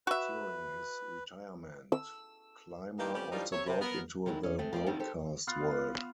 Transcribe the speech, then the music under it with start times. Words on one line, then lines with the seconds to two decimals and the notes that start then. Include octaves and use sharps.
During his retirement Clymer also broke into the broadcast world.
0.07 F#4 B4 E5
1.92 E6
2.99 E3 A#3 D#4 G4
3.14 F2 G3 C#4 G4
3.31 E3 F3 G3 D4 D#4 F4
3.51 C3 C#5 E5
3.66 C3
3.80 B3 A#4
4.26 D#3 F#3 G#3 D4 E4
4.43 C#4
4.58 G#3 A3 C4
4.73 F3 C4 F4 D5
4.86 D#3 F3 G3 B3 C4 E4
4.99 G4 A4 C5
5.47 B3 F4 F5 F#5